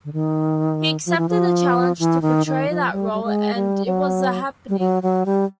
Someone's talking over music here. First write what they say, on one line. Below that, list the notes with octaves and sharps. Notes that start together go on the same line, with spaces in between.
He accepted the challenge to portray that role, and it was a happening.
D3
D#3
F3
E3
F3
E3
D#3
D#3
F3
G3
G3
G#3
G3
F#3
G3
F#3
F#3
G3